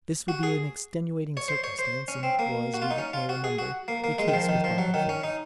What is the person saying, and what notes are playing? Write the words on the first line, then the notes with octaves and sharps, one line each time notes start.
This would be an extenuating circumstance, and was, we may remember, the case with Barkilphedro.
F#4
G#4
C#5
C5
C#5
C5
C#4
C4
A#3
F#4
F4
D#4
C#4
F4
F#4
G#4
F#4
A#3
A#3
G#3
D#3
F3
D#3
F3
F#3
D#3
C#4
D#4